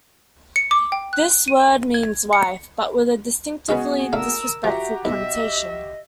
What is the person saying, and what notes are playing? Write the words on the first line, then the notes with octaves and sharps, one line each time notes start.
This word means wife, but with a distinctly disrespectful connotation.
C#7
D6
G5
F#6
D#7
G#6
C#7
G#3 B3 C#4 F#4 G#4 B4 G#5
A3 D4 A#4 F5 E6
F3 F#4 G4 E5 F#5 A#5
B1 D#5 E5